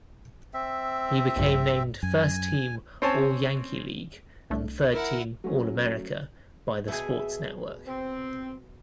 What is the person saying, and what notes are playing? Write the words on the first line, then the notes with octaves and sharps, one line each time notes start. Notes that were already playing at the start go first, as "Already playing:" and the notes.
He became named first-team All-Yankee League and third-team All-America by The Sports Network.
C4 E5
A#1 G2
F#2 G#5
C4 C#4 C5 C#5 G#5 A5
C2 A3 D4
E4 A#4 F#5
F#3 A3 C#4
B2 G#4 E5
C4